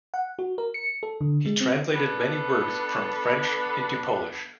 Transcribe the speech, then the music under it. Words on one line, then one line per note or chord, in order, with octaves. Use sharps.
He translated many works from French into Polish.
F#5
F#4
A#4
C#7
A4
D3
G#3
C4
B3 D4 A4 B4